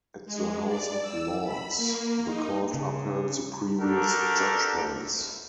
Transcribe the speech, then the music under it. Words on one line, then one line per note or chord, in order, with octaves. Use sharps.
At the House of Lords, the Court upheld the previous judgments.
G#3
D5
E6
B5
A#3
D#4
C#3
D4 F#4 G4 A4 A#4